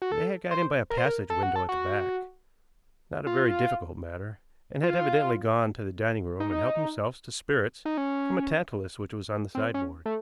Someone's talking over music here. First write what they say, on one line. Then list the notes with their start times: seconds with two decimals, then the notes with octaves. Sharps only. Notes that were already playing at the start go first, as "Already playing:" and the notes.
They had got in by a passage window at the back--not a very difficult matter--and had evidently gone to the dining room and helped themselves to spirits from a tantalus which was on the sideboard.
0.02 F#4
0.12 A4
0.51 C5
0.90 A#4
0.98 C5
1.05 A#4
1.30 A4
1.43 F#4
1.56 A4
1.69 F#4
3.27 F4
4.83 F4
6.40 D#4
7.85 D#4
7.97 C#4
9.55 C4
9.74 C#4
10.06 A3